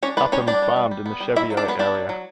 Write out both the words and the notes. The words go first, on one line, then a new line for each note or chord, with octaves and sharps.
Upham farmed in the Cheviot area.
C#4 D4 C#5
B3 D4 B4
G3 C#4 C#5
G3 D4 D5
G3
G3
G3
B3
G3
F#3 E4 E5
F#3
D4 D5
F#3 B3 B4
B3 D4 D5
F#3
F#3